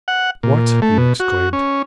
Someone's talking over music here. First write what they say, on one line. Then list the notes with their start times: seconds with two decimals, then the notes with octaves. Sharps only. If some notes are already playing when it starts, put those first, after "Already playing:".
"What!" he exclaimed.
0.08 F#5
0.43 A#2
0.82 A3
0.98 B2
1.20 F#4
1.53 C#4